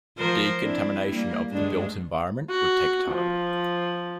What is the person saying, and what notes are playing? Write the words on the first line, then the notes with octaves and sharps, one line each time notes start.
Decontamination of the built environment would take time.
F3 A#4 C5
C4 D4 E4
G3 A#3
G2 G#3 D4
F#4
F3